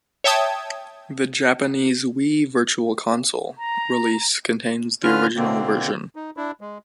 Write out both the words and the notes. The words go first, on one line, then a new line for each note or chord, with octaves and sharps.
The Japanese Wii Virtual Console release contains the original version.
C#5 E5 G5 A5 D#6 G#6
A#5
D3 C#4 F4 B4 F6
B2 D3 A#3 C4
D#4
D4 E4
G#3